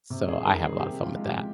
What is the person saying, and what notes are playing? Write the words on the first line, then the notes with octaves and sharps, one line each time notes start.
so I have a lotta fun with that.
C3
G#4
D#3 G3 A#4
G#4
C3 G4
F4
F3 G#3
G4